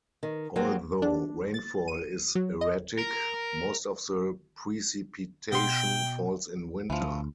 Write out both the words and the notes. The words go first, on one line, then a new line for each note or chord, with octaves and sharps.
Although rainfall is erratic, most of the precipitation falls in winter.
D#3
F#3 A#3 C4
D4
A6
D#7
F#3
D#5
A#4
B2 G5 C6
D2 E3 F3